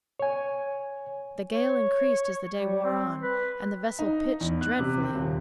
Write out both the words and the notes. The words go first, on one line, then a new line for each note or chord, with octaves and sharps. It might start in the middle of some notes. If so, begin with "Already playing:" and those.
The gale increased as the day wore on, and the vessel pitched dreadfully.
C#5 G#5
C#5
G3
C4
B4
D#4
E2
F#6
C3
C4
D#1